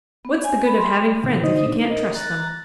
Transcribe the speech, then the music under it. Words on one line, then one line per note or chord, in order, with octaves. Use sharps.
What's the good of having friends if you can't trust them?
B3
G#5
B5
C6
A#2 D3 D#3
A#2 D3 D#4 C5 D#5 D#6
B3 D4 D#4
A#4 D#5
A#5 F#6 A6